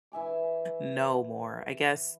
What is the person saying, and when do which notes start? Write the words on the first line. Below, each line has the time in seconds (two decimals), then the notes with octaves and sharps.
know more? I guess,
0.12 E3 E5 G#5 D6